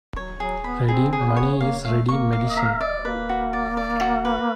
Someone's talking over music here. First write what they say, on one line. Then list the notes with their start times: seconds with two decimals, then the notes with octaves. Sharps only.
Ready money is ready medicine.
0.16 F#3 C#5
0.40 F#3 G#4
0.64 B3 B5
0.88 C4 G#4
1.13 G#4
1.25 B3
1.36 C#5
1.60 A#3 F5
1.84 A3 F5
2.09 A#3 C#6
2.33 F5
2.57 A#5
2.81 D5
3.04 A#3 B4
3.29 F#4
3.53 D5
3.77 D5
4.01 F#4
4.25 B4